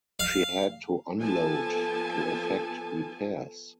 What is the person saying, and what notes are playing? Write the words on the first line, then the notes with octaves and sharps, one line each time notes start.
She had to unload to effect repairs.
F5
F3 B3 A4 G#5 A5